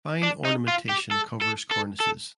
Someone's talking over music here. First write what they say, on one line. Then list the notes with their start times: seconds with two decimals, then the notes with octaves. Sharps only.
Fine ornamentation covers cornices.
0.23 D4
0.45 D#4
0.68 F4
0.89 G4
1.11 A4
1.42 A4
1.71 A4
2.00 A4